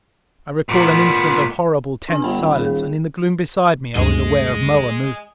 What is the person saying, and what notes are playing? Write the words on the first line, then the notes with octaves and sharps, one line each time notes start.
I recall an instant of horrible, tense silence, and in the gloom beside me I was aware of Moa moving.
A#2 B3
D4 G#5
G1 F#5 G5 B5
D#1
G#4
D2 G2 G#4 D#5